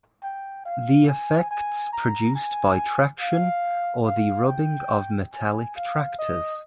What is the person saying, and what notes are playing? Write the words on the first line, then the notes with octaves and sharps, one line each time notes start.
The effects produced by traction, or the rubbing of metallic tractors.
G5
F5
G#5
G#5
A#5
G#5
F5
F5
G5
G#5
F5
D#5